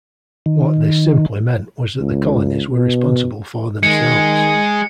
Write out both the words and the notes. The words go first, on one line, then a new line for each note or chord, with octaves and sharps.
What this simply meant was that the colonies were responsible for themselves.
D#3
C#2
B2
D#3 G#3 C#7